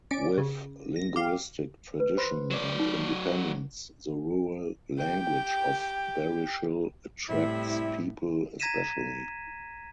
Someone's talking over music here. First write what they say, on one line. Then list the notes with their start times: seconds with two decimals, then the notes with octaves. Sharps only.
With Linguistic Tradition and Independence the rural language of Barishal attracts people especially.
0.11 C#4 D5 D7
0.38 C#3
0.96 A#6
1.16 G4 F5
2.00 B4
2.17 C5 B5 C6
2.51 F#3 D5
2.79 D#4
4.98 G4 G5
7.28 A2 C3 G3 E4
8.60 A#5 G#6 A#6 B6 D#7 E7